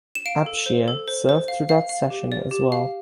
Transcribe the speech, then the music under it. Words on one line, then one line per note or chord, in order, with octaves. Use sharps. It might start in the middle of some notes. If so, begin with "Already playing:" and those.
Abshier served through that session as well.
E7
F5 D7
A4
C5
A4
C5
C5
F5
F5
F5
G4
D5
G4
F5